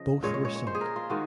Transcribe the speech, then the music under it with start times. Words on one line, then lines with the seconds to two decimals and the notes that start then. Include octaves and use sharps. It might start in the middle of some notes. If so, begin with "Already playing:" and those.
Both were sunk.
Already playing: C#3 F3 D#5
0.23 A#2 G#3 C#5
0.34 C#5
0.45 C#5
0.55 C#5
0.67 C5
0.75 G#4
0.81 A#4
0.96 F4
1.10 D#3 G#3 F#4